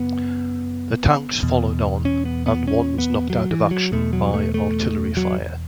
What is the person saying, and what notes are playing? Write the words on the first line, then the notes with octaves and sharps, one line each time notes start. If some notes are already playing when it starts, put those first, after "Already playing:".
The tanks followed on, and one was knocked out of action by artillery fire.
Already playing: F#2 C#3 B3
E2 B2
C#4
B3
B3
C#4
B3
F#3
E3
F#3
E2 B2 A3
F#3
A3
A3
F#3